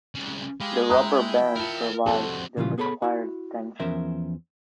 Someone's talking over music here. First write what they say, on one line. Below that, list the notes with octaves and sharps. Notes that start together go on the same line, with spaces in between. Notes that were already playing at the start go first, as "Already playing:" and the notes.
The rubber band provides the required tension.
C2 C#3
G#3 G4 F5 B5
E4 G5 A#5 B5 D#6 F#6
F4 A#4 A5
F2 G3 F#4 A4 C5 A5
A#2 C#3 E3 F3 G3 F4
B3 G#4 A4 C#5 B5
E4 F#4
E2 F3 C#4 A#4 C5 E5